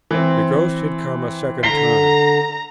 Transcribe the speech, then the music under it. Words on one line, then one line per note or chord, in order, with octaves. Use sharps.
The ghost had come a second time.
E3 C4
D3 A#5 B6 C7 G7